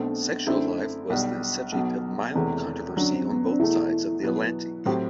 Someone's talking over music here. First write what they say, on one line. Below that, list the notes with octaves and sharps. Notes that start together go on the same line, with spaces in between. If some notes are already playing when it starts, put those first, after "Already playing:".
"Sexual Life" was the subject of mild controversy on both sides of the Atlantic.
Already playing: B1 B2 A3 C4 D4
F#2 D3 A3 C4 E4
B1 B2 G3
B1 B2 F#3
E1 E2 C3 E3 A3
F#2 D3 F#3 D4
C4
B3
C4
D4
E2 B2 A3 E4
B2 F#3 B3
A2 F#3 C4 G4